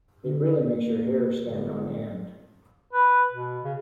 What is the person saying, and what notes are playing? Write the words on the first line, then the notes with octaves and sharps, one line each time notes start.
It really makes your hair stand on end.
D3
A#3
G1
B4
B2
C#3